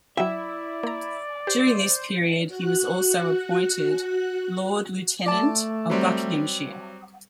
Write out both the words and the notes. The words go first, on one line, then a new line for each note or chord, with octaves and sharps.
During this period, he was also appointed Lord Lieutenant of Buckinghamshire.
F#3 E4 D5 E5 G5
A#3 A#5
G4 C5
F#4 F#6
A3 D5 A5
F#3 G3 C4